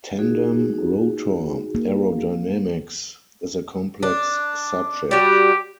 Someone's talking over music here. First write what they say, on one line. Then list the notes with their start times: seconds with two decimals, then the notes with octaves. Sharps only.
Tandem rotor aerodynamics is a complex subject.
0.19 D#4 F#4 G#4
1.75 A#3
4.03 D4
5.11 G3 F#4 G4